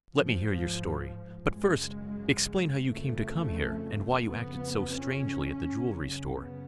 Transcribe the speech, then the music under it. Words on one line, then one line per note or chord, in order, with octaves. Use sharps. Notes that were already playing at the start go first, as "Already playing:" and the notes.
"Let me hear your story. But first explain how you came to come here, and why you acted so strangely at the jewelry store."
G#2 F3
F#2 C#3 G#3
F2 C#3 A3
F2 C#3 B3
C#4
F#2 C#3
B3